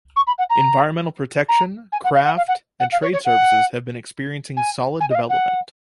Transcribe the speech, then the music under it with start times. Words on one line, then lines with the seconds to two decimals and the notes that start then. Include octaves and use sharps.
Environmental protection, craft, and trade services have been experiencing solid development.
0.16 C#6
0.27 B5
0.38 F#5
0.50 A#5
1.49 A#5
1.92 G#5
2.04 F#5
2.14 F5
2.25 F#5
2.37 F5
2.48 F#5
2.80 F#5
2.92 F5
3.02 C#5
3.13 C#5
3.25 F#5
4.57 G#5
5.00 G#5
5.11 D#5
5.15 F5
5.29 F#5